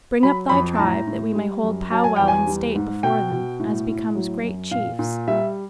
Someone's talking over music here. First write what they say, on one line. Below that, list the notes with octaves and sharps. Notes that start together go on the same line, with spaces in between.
'Bring up thy tribe, that we may hold pow-wow in state before them, as becomes great chiefs.'
F#3 B5
F2 B5
A5
A2 A#5
A2
G3
F#2
F#3 A5
G#5
E2 G5
G#5
G3
G#2
B2 G5
B2
A2
A2
F#3
F#2
A#2 F5
A#2
G3 E5